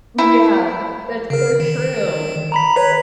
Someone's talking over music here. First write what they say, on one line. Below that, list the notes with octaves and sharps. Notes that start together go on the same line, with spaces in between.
Yeah, that's so true.
E4
C#3 A#4
D#3
A#5 B5 B6
B4 C#5